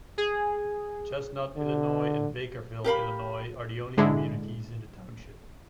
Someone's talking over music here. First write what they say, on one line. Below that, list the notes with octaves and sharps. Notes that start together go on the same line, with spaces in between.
Chestnut, Illinois and Bakerville, Illinois are the only communities in the township.
G#4
D3
G4 A#4 F5 B5
G#2 D3 G#3 D4 E4 G#4